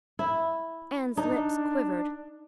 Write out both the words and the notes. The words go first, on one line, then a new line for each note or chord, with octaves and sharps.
Anne's lips quivered.
E4
D4 D#4